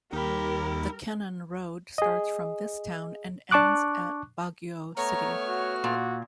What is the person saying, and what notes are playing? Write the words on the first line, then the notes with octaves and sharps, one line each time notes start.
The Kennon Road starts from this town and ends at Baguio City.
D#2 G3 D#4 G4 A#4 B5
G#4 D#5
D4 A5 C#6 D6 F#6
A3 B3 C#5 A#5 F6
F#4
A#2